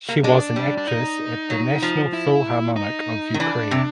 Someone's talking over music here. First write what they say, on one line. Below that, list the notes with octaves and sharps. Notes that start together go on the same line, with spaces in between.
She was an actress at the National Philharmonic of Ukraine.
A#3
G#3 D4
G3
D4
D#4
F#3
F3
E4
D#4
D#3
E3 D4
C3